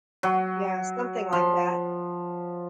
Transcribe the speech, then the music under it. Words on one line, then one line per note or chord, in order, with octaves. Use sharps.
Yeah, something like that.
F#3
F3